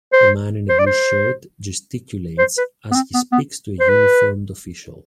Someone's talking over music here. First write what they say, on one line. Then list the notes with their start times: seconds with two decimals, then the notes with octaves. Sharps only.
A man in a blue shirt gesticulates as he speaks to a uniformed official.
0.13 C5
0.69 C5
0.79 D5
0.86 C5
2.38 C5
2.58 B4
2.91 B3
2.95 C4
3.14 B3
3.32 B3
3.80 C5
3.89 B4